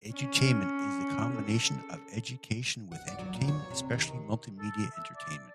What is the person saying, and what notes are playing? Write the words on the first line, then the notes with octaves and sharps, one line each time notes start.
Edutainment is the combination of education with entertainment, especially multimedia entertainment.
C#4
A4
F#5
D5
F#3
A#2
C#5
C3
D#3
A4
E5
D5